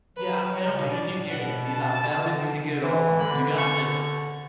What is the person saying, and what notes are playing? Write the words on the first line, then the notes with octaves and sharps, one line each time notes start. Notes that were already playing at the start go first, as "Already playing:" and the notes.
Yeah, I found it. You can get it. Ye I found it, you could get it offline. You got this.
F#3 B4
F#3 C#5
C#3
B2
A2 D5
B2 F#5
A5
D3
E3
D3 B5
C#6